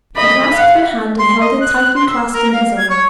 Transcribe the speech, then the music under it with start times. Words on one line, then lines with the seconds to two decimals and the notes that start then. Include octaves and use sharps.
He grasped her hand and held it tightly clasped in his own.
0.16 D#5 B5
0.53 F5 F#5
1.19 C6
1.41 D#5
1.60 F#6
1.95 C6
2.08 E6
2.32 A#4
2.53 F5
2.77 G#6
2.90 C#5